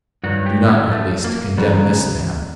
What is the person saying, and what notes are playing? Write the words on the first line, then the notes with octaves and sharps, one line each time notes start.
Do not, at least, condemn this man!
G2 D#3 F#3 F#4
G4
C#4
A3
A#3
E2 C#3 F#3 B3